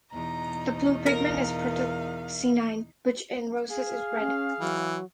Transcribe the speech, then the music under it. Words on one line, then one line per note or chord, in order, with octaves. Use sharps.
The blue pigment is protocyanin, which in roses is red.
E2 B2 D#4 A#5
A#4 F5
G#4 F5
C#4
E3 F#3